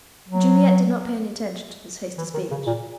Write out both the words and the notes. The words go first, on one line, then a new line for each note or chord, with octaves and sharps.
Juliet did not pay attention to this hasty speech.
F#3
E3
D#3
C#3
A#2